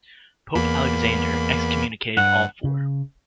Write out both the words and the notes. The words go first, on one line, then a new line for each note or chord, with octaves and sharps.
Pope Alexander excommunicated all four.
E2 A#3 B5
G2 F#5
C#3